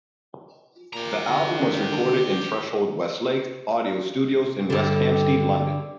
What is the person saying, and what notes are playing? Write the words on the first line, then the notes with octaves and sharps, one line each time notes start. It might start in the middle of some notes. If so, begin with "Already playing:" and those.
The album was recorded in Threshold Westlake Audio Studios in West Hampstead, London.
A#2 G4 A#5
D3
D#3 D4
G2 D3